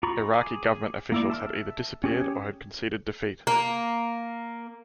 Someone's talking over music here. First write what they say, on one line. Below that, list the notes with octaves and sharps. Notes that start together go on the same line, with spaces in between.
Iraqi government officials had either disappeared or had conceded defeat.
F4 A#5 B5 C#6
G#4 D6
A#3 E4 D5
E5 A5 C6 F6
C#4 G4 G#4 C#5
A#3